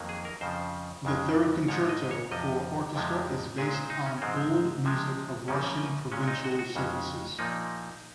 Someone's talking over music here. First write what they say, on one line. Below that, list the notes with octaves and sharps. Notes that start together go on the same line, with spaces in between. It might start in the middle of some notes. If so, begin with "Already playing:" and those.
The third Concerto for Orchestra is based on old music of Russian provincial circuses.
Already playing: F2 D#3 F#3 A#3
G#4
A#4
F2 C#3 F3 C5
F2 C#3 G#3
G#2 F3 G#3 C#5
D#5
C#5
F2 C3 F3 D#5
F2 C3 F3 G#3
A#2 G#3 G#4
C5
D#4
C#4
G#2 F3 G#3 C4
C3 F3 G#3
F#2 C#3 F3 A#3 C#4
A#2 G#3 C#4
D#4
F#4
F#4
F2 C#3 G#3
A#2 F3 A#3 D#4